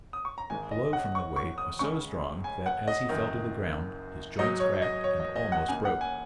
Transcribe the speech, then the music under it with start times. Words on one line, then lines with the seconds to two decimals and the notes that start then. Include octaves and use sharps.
The blow from the wave was so strong that, as he fell to the ground, his joints cracked and almost broke.
0.13 D#6
0.25 C#6
0.38 A#5
0.50 G#1 G#2 G#3 G#5
0.71 D#5
0.93 F#5
1.15 C#6
1.36 C#6
1.58 D#6
1.79 C#2 C#3 G#3 C#6
2.44 G#5
2.66 F#5
2.88 D#5
3.09 F#1 F#2 D#3
4.38 G#2 F#3 D#4 D#5
4.60 C#5
4.82 D#5
5.04 C#5
5.20 D#5
5.36 D#5
5.52 F#5
5.68 C#2 C#3 A#3 D#4 G#5
5.85 F#5
6.01 G#5